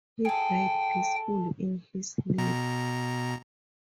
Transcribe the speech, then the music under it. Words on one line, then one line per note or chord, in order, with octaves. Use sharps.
He died peacefully in his sleep.
G#4 A4 G5
B2 A#5